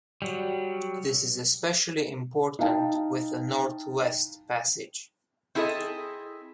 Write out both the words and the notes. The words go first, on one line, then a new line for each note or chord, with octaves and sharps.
This is especially important with the Northwest Passage.
F#3 G3
D#4 E4 F5 G5 A5
C4 E4 G#4 A4 D#5